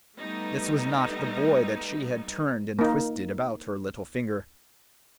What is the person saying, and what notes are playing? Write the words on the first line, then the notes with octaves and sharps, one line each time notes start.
This was not the boy that she had turned and twisted about her little finger.
G3 A3 B3 D#4
A#3 D#4